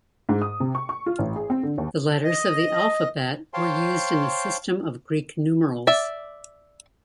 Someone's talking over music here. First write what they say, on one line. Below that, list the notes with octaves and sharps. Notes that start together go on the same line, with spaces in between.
The letters of the alphabet were used in the system of Greek numerals.
G#2
D#6
C3
C#6
C#6
F4
A1
G#4
C4
D3
D#2
D#5
C5 C#5 F5 G5 A5 C6
D5 E5